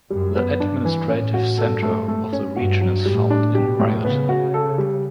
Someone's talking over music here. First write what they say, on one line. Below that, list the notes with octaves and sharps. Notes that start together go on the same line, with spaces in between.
The administrative centre of the region is found in Wiarton.
F#2 G3
B3
G2 D4
E3
A2 C#4
F#4
G2 A4
A3
A3
C#4
G2 F#4
F#3
A2 G3
D4
B2 G4
A2
C#3 B3
F#4
A4
G3